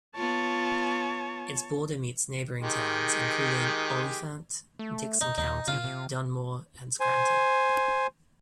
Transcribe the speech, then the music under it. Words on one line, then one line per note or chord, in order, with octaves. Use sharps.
Its border meets neighboring towns, including: Olyphant, Dickson City, Dunmore, and Scranton.
B3 F4 C#5 A5
D#3 G#3 G4
A3
D#4
D#2 D#4
C#3 F4
C3
C5 G#5